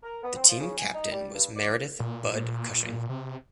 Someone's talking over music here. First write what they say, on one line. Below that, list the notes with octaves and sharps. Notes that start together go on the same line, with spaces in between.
The team captain was Meredith "Bud" Cushing.
A#4
B3
C4
F3
C#3
G#5
D#4
G3
G2
D5
A#2
C3